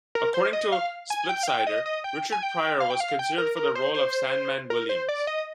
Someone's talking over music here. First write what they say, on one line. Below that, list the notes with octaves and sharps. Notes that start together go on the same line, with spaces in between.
According to Splitsider, Richard Pryor was considered for the role of Sandman Williams.
A#4
C5
D#5
F5
G#5
G5
F5
G5
D#5
D#5
G5
G#5
G5
F5
G5
F5
G5
A#4
A#4
C5
C5
A#4
C5
D5
D#5